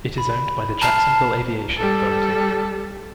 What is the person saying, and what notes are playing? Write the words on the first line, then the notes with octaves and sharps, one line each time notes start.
It is owned by the Jacksonville Aviation Authority.
B5
A5 A#5 F6 C7
G3 A4